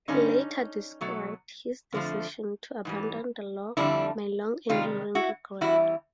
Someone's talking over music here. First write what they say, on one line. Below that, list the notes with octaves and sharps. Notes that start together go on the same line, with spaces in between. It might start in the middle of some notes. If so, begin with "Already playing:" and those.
He later described his decision to abandon the law "my long enduring regret".
G2 D3 G3 C#4 D#4
B2 F#3 A3
F2 D3 F3 A3
G#2 E3 G3
F2 D3 G3 D4 E4
C3 D#3 G3 D#4 F4
E4 F#4
E2 C#3 E3 G3 E4 F#4